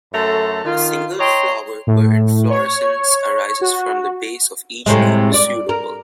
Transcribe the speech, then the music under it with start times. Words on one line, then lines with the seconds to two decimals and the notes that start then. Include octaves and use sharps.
A single flower per inflorescence arises from the base of each new pseudobulb.
0.13 F#2 A3 A4 A#5 C6
0.65 D#3 F4
1.20 C#5 D#5 G5 A#5 C6
1.87 A2
2.50 C#5
3.61 F#4
4.86 A2 C3 G#3
5.34 D5
5.69 A#4